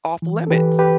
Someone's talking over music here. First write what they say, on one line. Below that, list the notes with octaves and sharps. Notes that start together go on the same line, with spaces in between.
off limits?"
E3
A4
E3 G4 B4
G4 B4